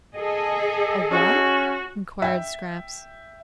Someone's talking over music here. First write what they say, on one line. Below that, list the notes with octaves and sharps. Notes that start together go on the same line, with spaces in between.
"A what?" inquired Scraps.
G#4 A4 D#5
C#4 F#4
E5 G5